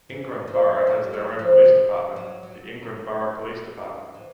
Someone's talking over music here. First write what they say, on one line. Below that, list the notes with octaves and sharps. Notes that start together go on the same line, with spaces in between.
Ingram borough has their own police department, the Ingram Borough Police Department.
E3
F3
F#3
G3
F#3
F3
E3
F#3
F#3
E3